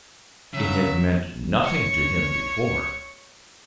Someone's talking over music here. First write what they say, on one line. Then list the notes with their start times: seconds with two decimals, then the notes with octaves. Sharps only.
It had meant nothing to him before.
0.54 C#3 F#3 E5
1.63 C#5 C#6